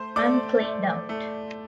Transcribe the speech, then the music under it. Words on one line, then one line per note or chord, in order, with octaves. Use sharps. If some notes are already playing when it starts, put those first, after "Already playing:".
I'm cleaned out.
Already playing: A3 C5 C6
A3 D5 D6
A3
A3